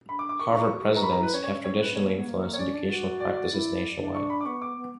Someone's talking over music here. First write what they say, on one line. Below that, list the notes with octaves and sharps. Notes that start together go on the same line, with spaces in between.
Harvard presidents have traditionally influenced educational practices nationwide.
D4 B5
D6
D6
A#4 C#6
D4
C#6
E4
F#4
G4
B4 A#5
A#4 B5
A#5
E4
B4
C#4 C#5
C#5
C#5
B4
C#4
B3 C#5
A#3
B3
A#3
C#5
C#4 D5
D4
F#4
D5
E4
D4
D4 C#6
B5
D6
B3 C#6
D6
B3